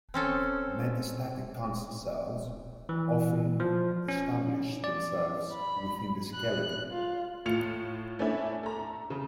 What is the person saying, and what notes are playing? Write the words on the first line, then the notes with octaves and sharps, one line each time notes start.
Metastatic cancer cells often establish themselves within the skeleton.
C4 C#4 A4
E3
F3
C#4
D5
B5
F#6
F4
A2 F4 C#7 F7
A3 C#4 D4 E4
A4 A#5
C#3